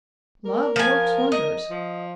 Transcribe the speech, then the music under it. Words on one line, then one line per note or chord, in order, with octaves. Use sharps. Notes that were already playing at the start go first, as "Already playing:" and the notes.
Love works wonders.
A#4
F3 G#5
D#5
F3